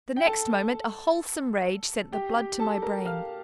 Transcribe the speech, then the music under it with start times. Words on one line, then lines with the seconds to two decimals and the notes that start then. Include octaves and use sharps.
The next moment a wholesome rage sent the blood to my brain.
0.16 G5
0.26 A4 A5
2.12 G4 G5
2.35 G4 G5
2.60 A4 A5
2.82 A#4 A#5
3.05 F5 F6